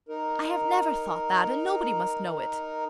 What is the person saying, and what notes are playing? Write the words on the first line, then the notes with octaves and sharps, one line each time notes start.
I have never thought that, and nobody must know it!
D#4 A#4